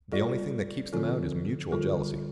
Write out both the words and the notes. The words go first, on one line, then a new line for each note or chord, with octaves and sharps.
The only thing that keeps them out is mutual jealousy.
G3 F4 A4 D5
D3 F3 C4 F4 A4
D3 G3 F4 A4